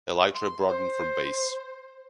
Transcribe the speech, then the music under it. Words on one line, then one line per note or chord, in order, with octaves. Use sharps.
Elytra broadened from base.
C6
C5